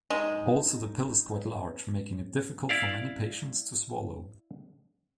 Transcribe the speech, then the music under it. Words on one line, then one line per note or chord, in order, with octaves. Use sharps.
Also, the pill is quite large, making it difficult for many patients to swallow.
G#3 D#4
E4 D5 F5